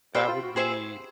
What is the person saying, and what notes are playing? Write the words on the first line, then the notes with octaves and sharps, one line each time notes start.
that would be
G4 C5 E5 G5 B5
F4
F#4
G4 G#4 C5 E5